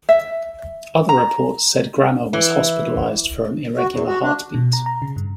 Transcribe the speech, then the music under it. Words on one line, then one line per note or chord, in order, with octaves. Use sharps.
Other reports said Grammer was hospitalized for an irregular heartbeat.
E5
A#5
E3
F#4
E2
F#4
D4
B2
A#5
A#5
C#3
G2